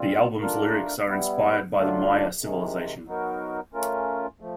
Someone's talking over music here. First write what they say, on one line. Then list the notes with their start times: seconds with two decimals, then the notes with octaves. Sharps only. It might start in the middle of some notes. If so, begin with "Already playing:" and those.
The album's lyrics are inspired by the Maya civilization.
Already playing: A#2 G3 C4 F4
0.41 A3 D4 F4 A#4
1.07 G3 B3 E4
1.74 D3 F#3 A3 D4 F4
2.41 C3 D#3 G#3
3.07 F#3 B3 D#4 F#4 A#4
3.73 A3 C#4 F4 A#4
4.40 F3 A3